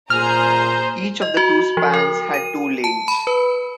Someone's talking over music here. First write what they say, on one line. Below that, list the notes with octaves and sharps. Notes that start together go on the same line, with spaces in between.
Each of the two spans had two lanes.
A#2 G#4 C5 A#5 F6
D#5
F#4
F3
A#4
D#7
A5
B5
B4